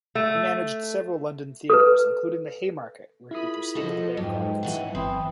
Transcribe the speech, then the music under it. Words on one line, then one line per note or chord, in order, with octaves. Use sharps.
He managed several London theatres, including the Haymarket, where he preceded the Bancrofts.
A3
A4 B4
E4 F4 G#4 A#4 B5 D#6
F3 F#4 A4 D#5
F2 G#2 F#3 B4 D#5 G5
A2 E3 C#4 F#5
G1 C4 G5 B5 D#6